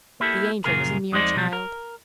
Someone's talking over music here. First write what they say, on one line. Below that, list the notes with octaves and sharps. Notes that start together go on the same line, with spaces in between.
The Angel was a mere child.
A#3 E4 G4 A4
F#2 A#2 C#3 G#4 A#4 A#5
F2 G#3 D#4 C5 D5
B2 F3 G3
A#4